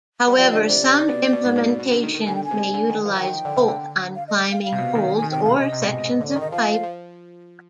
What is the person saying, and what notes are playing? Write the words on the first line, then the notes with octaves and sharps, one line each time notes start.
However, some implementations may utilize bolt on climbing holds or sections of pipe.
G3
F3 D5
D3 D#5
C3 D5
C3
B2
B2
G#2
B2
B2
B2
D3
D#3
D#3
D3 G#5
G5
G#5
C3
D3
D#3
F3
F5
D#3 G5
D3
C3
D3
F5
D#5
F5
F5
C3
B2
D#3
G#5
D#3
C3 G5
B2 F5
C3 D#5
C3
B2
G#2
G#2
D3
D5
D#3 D#5
F3 F5
F3
F3